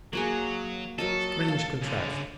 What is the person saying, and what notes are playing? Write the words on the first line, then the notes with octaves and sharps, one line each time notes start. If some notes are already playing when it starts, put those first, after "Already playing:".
Strange contrast!
F#3 A#3 F#4 G#4
F#3 A4 A#4 D#5
F5
C#2 D3